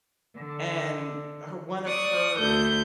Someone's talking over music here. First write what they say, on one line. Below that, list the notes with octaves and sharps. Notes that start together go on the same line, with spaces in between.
and her one of her
D3
D5 C#6 D#6
D2 A4 G6